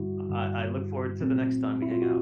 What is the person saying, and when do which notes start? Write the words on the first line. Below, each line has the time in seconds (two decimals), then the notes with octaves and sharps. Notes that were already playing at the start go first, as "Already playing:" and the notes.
I I look forward to the next time we hang out.
Already playing: G2 D3 G3 E4 F#4
0.30 G2 D3 G3
1.20 A#2 F#3 A3 C4
1.82 E4
1.92 F4
2.02 F#4